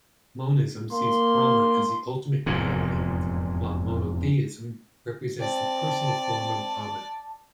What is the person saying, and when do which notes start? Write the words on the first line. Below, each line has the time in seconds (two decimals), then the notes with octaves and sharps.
Monism sees Brahma as the ultimate Reality, while monotheism represents the personal form Brahman.
0.92 A#3 C6
2.46 F1 E2 G#2 C3
5.41 C4 D5 A5